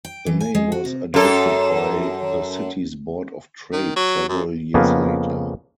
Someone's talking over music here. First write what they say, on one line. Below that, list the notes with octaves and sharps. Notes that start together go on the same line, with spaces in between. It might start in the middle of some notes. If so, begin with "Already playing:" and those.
The name was adopted by the city's Board of Trade several years later.
G5
E3
G#5
G#3
F#4
C3
F#2 A4
D#3
F#3
F#2
F2 C#3 A#3 B3